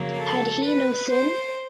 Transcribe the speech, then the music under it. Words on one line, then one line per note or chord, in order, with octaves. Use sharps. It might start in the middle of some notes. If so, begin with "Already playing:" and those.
Had he no sin?
Already playing: F2 C#3 F#3 A#3
A4
B4
C5